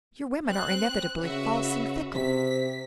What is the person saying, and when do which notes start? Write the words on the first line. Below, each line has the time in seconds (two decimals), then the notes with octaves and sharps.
Your women are inevitably false and fickle.
0.46 C4 F#6
1.23 C#3 F#4 B4 E5
2.13 C3 B6